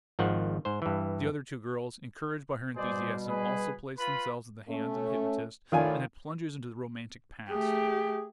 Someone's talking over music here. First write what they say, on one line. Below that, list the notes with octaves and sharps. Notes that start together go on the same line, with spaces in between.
The other two girls, encouraged by her enthusiasm, also placed themselves in the hands of the hypnotist and had plunges into the romantic past.
G#1 D#3 F3 F#5
G#2 C5
G2 E3
B2 G3 G#4 C5 D5
G#4 B4
F4 B4 B5
A3 C#4
A2 D#3 F4 D5 G#5
A3 G4 G#4